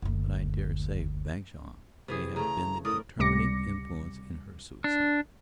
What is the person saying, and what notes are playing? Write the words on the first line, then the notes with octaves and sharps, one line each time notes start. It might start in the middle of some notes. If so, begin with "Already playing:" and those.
But I dare say Bagshawe may have been the determining influence in her suicide.
F#1 D2
C3 E3 G#4
C#3 A3 A#5
A2 A#4 D5 D#6
C#2 C3 G3 D6 A#6 C#7
D4